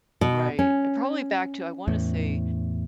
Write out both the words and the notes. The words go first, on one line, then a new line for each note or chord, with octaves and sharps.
Right, probably back to I wanna say,
B2
C#4
E2 A2